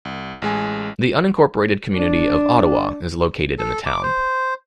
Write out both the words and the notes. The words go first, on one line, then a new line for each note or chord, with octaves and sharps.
The unincorporated community of Ottawa is located in the town.
C2
A1 G#3 G#5
D4
A4
D6
C5